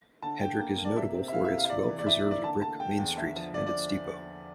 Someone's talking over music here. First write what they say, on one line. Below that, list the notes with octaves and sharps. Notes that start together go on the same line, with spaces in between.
Hedrick is notable for its well-preserved brick Main Street and its depot.
D3 A5
D3 G5
A#3
A#3
D5
C3 E5
C4
E5
E4 F5
E5
C3
F5
E5
C3 D5
E3
D5
E4 E5
D5
A#3
D5
D3 A5
A3 A5
A3 G5
E2
D3 E5
F3
D3 D5
D5